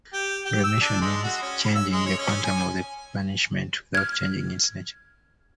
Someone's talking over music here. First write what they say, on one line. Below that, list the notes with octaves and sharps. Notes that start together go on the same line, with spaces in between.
Remission: means changing the quantum of the punishment without changing its nature.
G4
G4
E6
D4
G#3
F#4
C#4
E6
G#3
C#5
C#4
G#5
F6 G#6